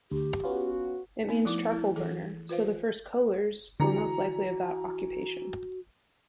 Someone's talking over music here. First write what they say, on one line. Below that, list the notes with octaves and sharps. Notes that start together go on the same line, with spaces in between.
It means, "charcoal burner" so the first "Kohlers" were most likely of that occupation.
D2 G4
B3 C#4 F4 F#4
B3 D#4
F3 A3 E4 D6
E4
E3 G#4 A4
F4 B4 C5 F5
D3 E3 F#4 A#5 C#7